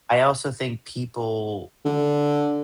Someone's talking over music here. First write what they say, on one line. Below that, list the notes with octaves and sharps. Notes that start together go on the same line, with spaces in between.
I also think people,
D3